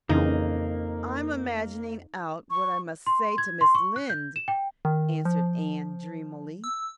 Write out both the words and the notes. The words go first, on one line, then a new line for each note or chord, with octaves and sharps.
"I'm imagining out what I must say to Mrs. Lynde," answered Anne dreamily.
F2 C#3 E3 A#3 D#4
C#6
C6
G#6
C6
C#6
F#6
G6
E7
G5
D#3
F3
E6